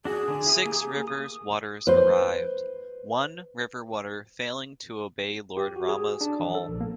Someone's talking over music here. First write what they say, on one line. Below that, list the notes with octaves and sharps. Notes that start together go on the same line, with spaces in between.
Six rivers waters arrived, one river water failing to obey Lord Rama's call.
D4 F#4 G#4
D3 D4
E4 D#6
A#3 G4
D#6
B4 C5
G4
F#4
G#4
D4
E3
A4
A#1
A#3